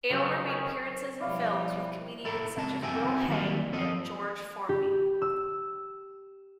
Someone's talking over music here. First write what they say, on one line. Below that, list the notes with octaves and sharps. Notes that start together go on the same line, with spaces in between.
Aylmer made appearances in films with comedians such as Will Hay and George Formby.
F2 C#3 F#3
D#3 C#4
B2 F3 G3 E4 C#5 D5 F5
E4 A4 A#4
C#2 C4 A5
C4 E4 F#4 E5 G5 G#5
D#3 F#3 G3 A#3
F3 C4 A4 D#5
G4
E6